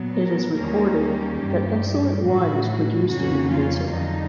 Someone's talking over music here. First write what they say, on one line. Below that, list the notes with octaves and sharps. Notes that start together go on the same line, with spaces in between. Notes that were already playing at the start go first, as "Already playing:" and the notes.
It is recorded that excellent wine was produced in the peninsula.
Already playing: A#2 F#3 B3
A#4
D#2 D#3 G3 A#3 C#4
G4
G2 D#3 G3
A2 E3 G3 F#4
F2 C#3 F#3 A#3 C#4 F#4
F4
F2 D3 F#3 D#4